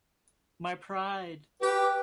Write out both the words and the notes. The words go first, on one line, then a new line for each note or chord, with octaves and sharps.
My Pride!
G4 B4